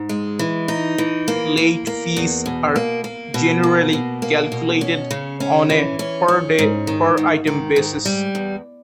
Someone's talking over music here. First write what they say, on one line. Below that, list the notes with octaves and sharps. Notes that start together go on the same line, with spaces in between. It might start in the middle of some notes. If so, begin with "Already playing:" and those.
Late fees are generally calculated on a per day, per item basis.
Already playing: G#2
G#3
E3
D#4
E3
A#3
A#3
A#3
E2
B2
A#3
A#3
B2
A#3
B2
A#3
B2
C#4
C#3
C#4
E3
C#4
C#4
G#2
D#3
G#2
D#3
G#2
G3
E2